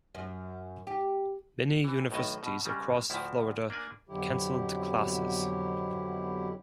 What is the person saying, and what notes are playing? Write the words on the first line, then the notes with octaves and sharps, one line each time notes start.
Many universities across Florida canceled classes.
F#2
G4
E3
B1 A2 D#3 D#5 A5
B2
C#3 G3 G#3
D2 A2 F3 E4
A#3 D4 D5 G#5
F2 B2 D3 F#3 E4 G4